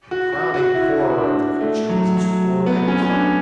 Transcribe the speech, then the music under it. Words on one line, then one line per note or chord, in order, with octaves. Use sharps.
The crowning horror of the creature was its forelegs.
F#4
F#4
F#4
E4
D4
A3
F#3
F#3
B3
C#4
C#4
D4